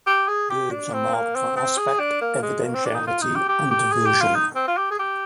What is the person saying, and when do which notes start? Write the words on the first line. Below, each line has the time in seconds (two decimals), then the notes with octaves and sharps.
Verbs are marked for aspect, evidentiality and "version".
0.07 G4
0.28 G#4
0.50 G4
0.71 D4
0.93 C4
1.14 A#3
1.35 C4
1.56 C4
1.78 G#4
1.99 D4
2.21 A#3
2.42 G#3
2.64 A#3
2.75 C4
2.85 D4
2.95 D#4
3.07 F4
3.21 D#4
3.36 G4
3.49 G4
3.71 G4
3.92 G#4
4.06 G4
4.21 F4
4.35 D#4
4.56 C4
4.68 F4
4.77 G4
4.91 G#4
4.99 G4